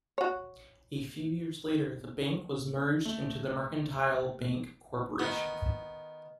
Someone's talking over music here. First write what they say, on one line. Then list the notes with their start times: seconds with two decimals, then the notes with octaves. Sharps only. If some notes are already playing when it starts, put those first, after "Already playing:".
A few years later the bank was merged into the Mercantile Bank corporation.
0.18 F#4 C#5
3.05 A3
5.19 D#3 B3